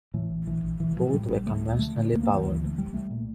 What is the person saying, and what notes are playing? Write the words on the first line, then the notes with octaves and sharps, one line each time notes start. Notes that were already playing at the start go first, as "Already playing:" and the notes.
Both were conventionally powered.
A2 E3
A#1
A#1 E3
A#1
A#1 E3
A2 F3
A2 G3
A#1
D2 A3
D2
D3 A3
D3
D2 A#3
A#3
D2
E3
D2 E3
D3 A3
C2 G3
C2 A3
A#2